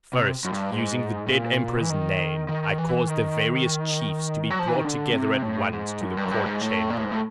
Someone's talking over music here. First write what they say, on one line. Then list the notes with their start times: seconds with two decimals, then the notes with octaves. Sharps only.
First, using the dead emperor's name, I caused the various chiefs to be brought together at once to the court chamber.
0.13 C3
0.45 F#2
0.53 G2
0.72 G#2
1.27 A2
1.32 A#2
1.81 E3
1.90 D#3
2.49 D#3
2.78 E3
3.07 D#3
4.51 F#3
4.59 F3
4.68 E3
4.76 D#3
4.85 D3
5.13 C3
5.42 A2
5.73 G#2
6.01 F#2
6.17 G2
6.24 F#2
6.31 G2
6.46 G#2
6.61 A2
6.90 A#2
6.97 A2
7.04 G#2
7.12 A2